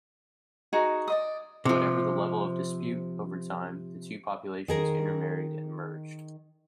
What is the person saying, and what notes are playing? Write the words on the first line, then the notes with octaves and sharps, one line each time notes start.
Whatever the level of dispute, over time, the two populations intermarried and merged.
D#4 F#4 G#4
D5 D#5 D#6
C3 F3
D#3 G#4 A#4